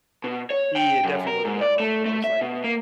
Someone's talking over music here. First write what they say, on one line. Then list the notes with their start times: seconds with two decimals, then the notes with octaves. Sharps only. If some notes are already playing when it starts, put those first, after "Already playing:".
Yeah, it definitely wasn't that long ago, it was like
0.24 B2
0.50 C#5
0.76 G5
1.04 F#2
1.27 A#4
1.45 G#2
1.61 D5
1.80 A3
2.06 A3
2.24 E5
2.41 B2
2.64 A#3